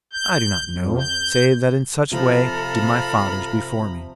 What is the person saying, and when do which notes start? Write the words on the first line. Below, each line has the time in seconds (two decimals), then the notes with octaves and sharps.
I do not know, save that in such way did my fathers before me.
0.13 G6
0.70 F2
0.99 G6
2.11 C3 F3 C4 A4 F5 A#5 B5 F6